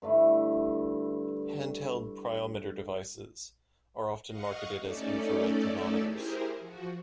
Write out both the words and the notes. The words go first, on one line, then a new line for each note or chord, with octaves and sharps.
Handheld pyrometer devices are often marketed as infrared thermometers.
G2 D3 A3 E4
D#5 F5 F#5 C#6
A3 C#4 D#4 A4 D5
E4 G4 G#4 A#4 C5
F3 F#4